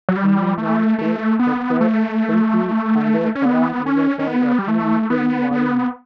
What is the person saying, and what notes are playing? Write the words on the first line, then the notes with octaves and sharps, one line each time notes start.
Cunningham states that the Spiti and Parang rivers are roughly equal in volume.
F#3
G3
A3
A3
B3
A3
C#4
B3
C#4
C#4
B3
G3
A3
B3
B3